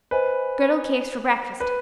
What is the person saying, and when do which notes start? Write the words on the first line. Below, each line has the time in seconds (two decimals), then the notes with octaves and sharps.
Gridel cakes for brekfast.
0.11 B4 C5 D#5 G#5
1.60 B4